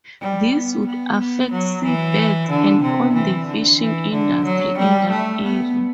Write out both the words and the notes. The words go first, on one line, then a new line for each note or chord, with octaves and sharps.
This would affect sea birds and on the fishing industry in that area.
G3
B3
B3
B3
F#3
E3
D3
C3
E3
D3
E3
D3
F#3
G3
A3
B3